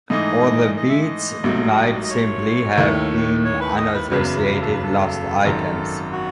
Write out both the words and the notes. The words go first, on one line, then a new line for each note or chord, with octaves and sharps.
Or the beads might simply have been unassociated lost items.
G#2 E3 A3 D#4 D#5
D#5
E5
D#5
A1 G#2 F#3 A3
D#5
C#5
D#2 D#3 A3 E4
C#5
B4
D#5
B4
F#1 E2 C#3 F#3 B4
B4
B4
A4
B4
A4
G#1 F#2 D#3
F#4